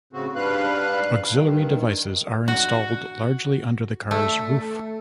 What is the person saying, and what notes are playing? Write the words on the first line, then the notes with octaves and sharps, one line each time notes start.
Auxiliary devices are installed largely under the car's roof.
A2 C#3 C4 F#4
G#2 G3 D4 B4 F5 F#6
G2 D#3
F#4
A3